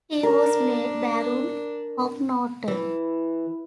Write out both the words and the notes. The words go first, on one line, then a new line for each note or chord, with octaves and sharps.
He was made Baron Hocknorton.
D4 A#4
E3